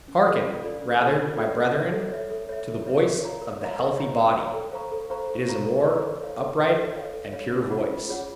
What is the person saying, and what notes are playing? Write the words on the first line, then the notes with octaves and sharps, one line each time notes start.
Hearken rather, my brethren, to the voice of the healthy body; it is a more upright and pure voice.
C#4
F4 A4 D5 F5
C#4
F4 A4 D5 F5
C#4
F4 A4 D5 F5
C#4
F4 A4 D5 F5
A4
C#5 E5
A4
C#5 E5
A4
C#5 E5
A4
C#5 E5
A#4
C#5 F5 A#5
A#4
C#5 F5 A#5
A#4
C#5 F5 A#5
A#4
C#5 F5 A#5
A4
C5 F5 A#5 C#6
A4
C5 F5 A#5 C#6
A4
C5 F5 A#5 C#6
A4
C5 F5 A#5 C#6
A4
C#5 F5
A4
C#5 F5
A4
C#5 F5
A4
C#5 F5
C#4
F4 G#4 C#5 F#5
C#4
F4 G#4 C#5 F#5